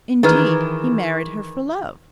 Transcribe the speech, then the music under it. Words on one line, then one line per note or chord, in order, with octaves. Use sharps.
Indeed, he married her for love.
D#3 E3 G#4 B4 F6